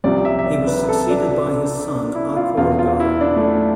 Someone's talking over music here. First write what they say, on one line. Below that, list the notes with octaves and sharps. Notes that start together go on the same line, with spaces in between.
He was succeeded by his son Akurgal.
C2 C3 F3 D5
E5
E5
D5
B4
A4
D4
D4
D4
E4
F4
E2 B2 F4
F4
E4
D4
A3